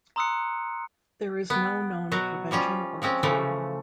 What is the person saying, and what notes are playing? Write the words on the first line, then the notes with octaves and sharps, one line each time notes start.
There is no known prevention or cure.
A#5 C6 D#6 E6 F#6 C#7
B3 G5
B2 F#3 F#4
F3 G3 C#4 F4
F3 G#3 C4 C#4
C#3 E3 F3 A3